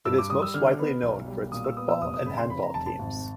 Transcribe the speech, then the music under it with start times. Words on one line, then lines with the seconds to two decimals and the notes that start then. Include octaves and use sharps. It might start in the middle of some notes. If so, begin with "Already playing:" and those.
It is most widely known for its football and handball teams.
0.05 G2 E6
0.18 D6
0.30 G3 D#6
0.42 E6
0.54 D3 F6
0.79 B3
1.03 B1
1.28 G3
1.52 A#2 D#6
1.64 E6
1.77 B3 D#6
1.89 E6
2.01 F1 D#6
2.14 D#6
2.26 C#3 B5
2.38 C6
2.50 F2 B5
2.63 A#5
2.74 F1 A5
2.86 A5
2.99 G#1